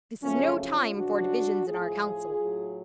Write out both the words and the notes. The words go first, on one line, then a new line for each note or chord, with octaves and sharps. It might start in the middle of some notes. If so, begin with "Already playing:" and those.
This is no time for divisions in our councils.
F#2 C#3 F3 A3 C#4
C#4 F4
F#2 C#3 F3 D4 F#4
A2 F3 F4 G#4
A2 F#3